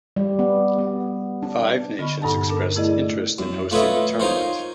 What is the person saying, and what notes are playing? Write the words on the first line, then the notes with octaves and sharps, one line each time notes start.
Five nations expressed interest in hosting the tournament.
G3
B3
B3
D4
D3 B3 D#5 B5 C#6 F6
G2 A#2 D#4 A4 F#5 A5
D4 A4 A#4
A3 E4 G#4 D5 D#5
F#2
A3 F4 B4 C#5 D#5 E5
D#4 F4 A#4 C5 C#5